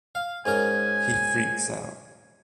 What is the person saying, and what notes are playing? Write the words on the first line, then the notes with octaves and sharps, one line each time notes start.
He freaks out.
F5
G#2 C#4 A#4 G#5